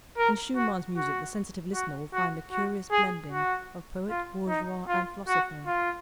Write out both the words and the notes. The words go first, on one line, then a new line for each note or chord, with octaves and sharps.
In Schumann's music the sensitive listener will find a curious blending of poet, bourgeois, and philosopher.
A#4
F#4
F#4
F#4
F#4
F#4
G#4
F#4
F4
D#4
F4
F#4
F4